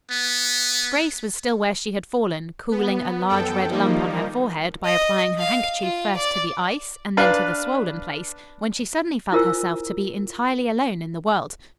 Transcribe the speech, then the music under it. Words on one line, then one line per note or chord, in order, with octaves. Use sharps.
Grace was still where she had fallen, cooling a large, red lump on her forehead by applying her handkerchief first to the ice and then to the swollen place, when she suddenly felt herself to be entirely alone in the world.
B3
B3
F#2 B3 A4 G5
D#3 F3 G3 A#3 D#4
D#5
F5
F4
D5
D4 B4 F5
E4 F4 A#4 C5 G#5 E6